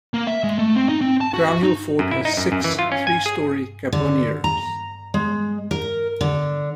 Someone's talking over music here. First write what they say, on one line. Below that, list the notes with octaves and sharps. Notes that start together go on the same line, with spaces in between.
Crownhill Fort has six three-storey caponiers.
A#3
E5
G#3
A3
C4
D#4
C4
A5
F#4
F#4
D#4
F#2
E4
D#4
F#2
F#2
E3
F4
C#4
G#5
G#4
D3
A#5
G#3
A#4
D3